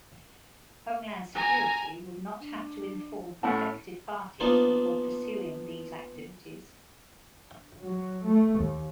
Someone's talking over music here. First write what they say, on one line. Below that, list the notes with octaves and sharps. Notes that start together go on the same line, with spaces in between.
Homeland Security would not have to inform affected parties before pursuing these activities.
G#5 A#5
D4
A2 C#4 E4 F#5 A5
F3 A#3 B3 D4 D#4 F4
F#3
A3
D#2